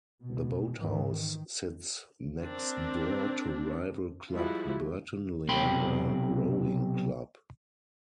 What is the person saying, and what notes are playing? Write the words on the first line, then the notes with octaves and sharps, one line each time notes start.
The boathouse sits next door to rival club Burton Leander Rowing Club.
B2
G#2 D#3 E3
D#3
C4 D4 A#4
F3 G3 G#3 E4 F#4
B1 C3 G5 B5 C6